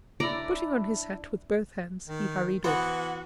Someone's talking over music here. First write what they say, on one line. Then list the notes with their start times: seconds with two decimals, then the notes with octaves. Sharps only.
Putting on his hat with both hands, he hurried off.
0.20 D4 E4 D5 A#5
2.08 D#3
2.64 E3 B3 F#4 C5 F#5